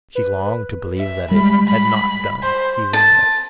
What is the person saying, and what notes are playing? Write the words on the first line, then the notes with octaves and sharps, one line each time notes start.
She longed to believe that it had not done even this.
B4
E5
G3 G#3 B5
B5
C5
A5